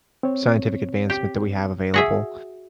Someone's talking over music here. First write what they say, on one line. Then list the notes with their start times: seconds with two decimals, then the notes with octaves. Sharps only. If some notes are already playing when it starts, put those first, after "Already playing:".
scientific advancement that we have available
0.23 C4 C#5
1.10 G4
1.94 F#4 G#4 E5